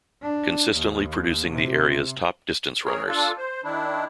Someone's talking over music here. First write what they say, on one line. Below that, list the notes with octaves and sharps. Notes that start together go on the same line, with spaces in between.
Consistently producing the area's top distance runners.
D4
D#2
C3
G#4 A#4 C#5
D4 F4 A4
C5
D#3 D4 E4